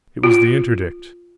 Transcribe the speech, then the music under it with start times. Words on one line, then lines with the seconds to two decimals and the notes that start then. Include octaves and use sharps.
It was the INTERDICT!
0.23 F4